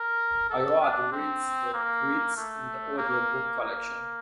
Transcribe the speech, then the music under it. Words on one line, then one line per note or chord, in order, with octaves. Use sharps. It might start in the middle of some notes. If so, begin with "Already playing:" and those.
Ayoade reads "The Twits" in the audiobook collection.
Already playing: A#4
A4
D4
C4
A#3
A3
A#3
A#3